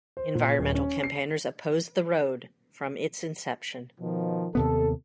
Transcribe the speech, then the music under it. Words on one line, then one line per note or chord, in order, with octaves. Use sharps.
Environmental campaigners opposed the road, from its inception.
C5
A#2
D#1
C#4
C7
B2 D#3 F3
D#2 C3 B3 A4